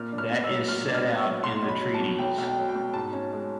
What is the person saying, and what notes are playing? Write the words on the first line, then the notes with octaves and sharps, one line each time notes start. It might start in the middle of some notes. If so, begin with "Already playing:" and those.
That is set out in the treaties.
Already playing: A#2 F6
D4
F6
B3
E6
F#3
A#2 F6
D4
F6
B3
C#6
F#3
B1 C6
B1
B5
F#3
A5
B2
B1 G5
B1
G5
F#3
G5
B2
G#2 A5
C#4
G#3